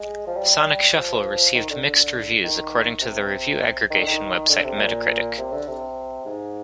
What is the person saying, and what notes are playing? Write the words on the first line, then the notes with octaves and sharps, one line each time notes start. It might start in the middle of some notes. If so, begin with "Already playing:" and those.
"Sonic Shuffle" received "mixed" reviews according to the review aggregation website Metacritic.
Already playing: G#3
F3
G3
F3
D#3
D3
D3
D#3
C3
D#3
D3
D#3
D3
C3
A#2
C3
D3
C3
G#2